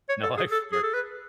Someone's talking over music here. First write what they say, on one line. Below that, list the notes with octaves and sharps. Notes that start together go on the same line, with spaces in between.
No, I of course.
C#5
A4
G#4
A4
G#4
A4
B4